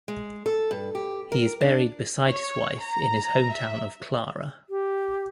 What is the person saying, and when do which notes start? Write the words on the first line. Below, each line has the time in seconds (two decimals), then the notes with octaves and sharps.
He is buried beside his wife in his hometown of Clara.
0.08 G#3
0.46 A4
0.71 G2
0.95 G4
1.32 A#4
1.61 D4
2.26 C#5
2.81 A#5
3.52 E5
4.70 G4